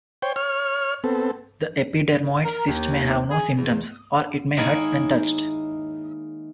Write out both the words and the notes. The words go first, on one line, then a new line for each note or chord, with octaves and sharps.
The epidermoid cyst may have no symptoms, or it may hurt when touched.
C5 C#5 G5
C#5 F6
B3 C4 A4
A#4
D#2
G#4
E2
D#3 G#3 A#3 E4 G#4 C#5